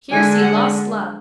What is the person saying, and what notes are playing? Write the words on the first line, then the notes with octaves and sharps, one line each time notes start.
Here see lost love.
D3 G#3 D4 G#5
F#5